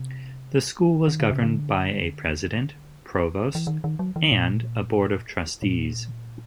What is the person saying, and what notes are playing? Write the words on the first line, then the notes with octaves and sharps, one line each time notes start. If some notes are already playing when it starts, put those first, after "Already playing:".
The school was governed by a president, provost and a Board of Trustees.
Already playing: C3
D#3
D3
C#3
D3
E3
D#3
D#3
F#3
E3
A#2
A#2